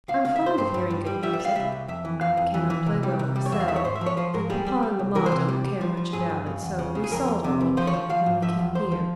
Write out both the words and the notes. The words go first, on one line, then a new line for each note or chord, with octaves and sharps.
'I am fond of hearing good music; I cannot play well myself; and papa and mamma don't care much about it; so we sold our old piano when we came here.'
C#2 F5
C#2 F5
E5
C#2
C5
G2 C5
G2
G2
G3
G3 E5
E5
G3
F5
C2 E5
C2
F2 E5
E3
F2 F5
F2
E3
E3
C3
G3
C3
G3
C#5
E2 E5
F5
E2 E5
C#5
G#2 C5
E5
F3
C#5
F3 C5
G#2 A#4
G3 G#4
G3
G3
C2
E3 A#4
C5
C3
G3
G3
F3
F3
G2 G#4
G2
C#3
E2
C#3
C#3
G#4
F2 A#4
F2
C3
F2
F3 C5
C#5
F3
F3 F5
G#2
F3 E5
E2
E2 C5
F3